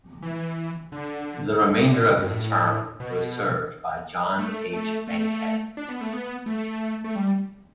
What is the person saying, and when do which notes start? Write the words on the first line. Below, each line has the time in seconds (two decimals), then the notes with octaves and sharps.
The remainder of his term was served by John H. Bankhead.
0.22 E3
0.92 D3
1.61 D3
2.19 G2
2.31 A2
3.00 B2
4.38 A3
4.73 A3
5.08 A3
5.77 D4
5.89 B3
6.01 A3
6.13 B3
6.46 A3
7.04 A3
7.16 G3